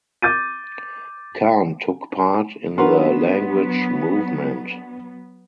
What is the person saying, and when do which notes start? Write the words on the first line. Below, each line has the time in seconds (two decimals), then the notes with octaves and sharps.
Khan took part in the Language Movement.
0.22 D6 G6 A6 D#7
2.78 F#3 B3 D4 F#4 A#4 B4 F#5 C6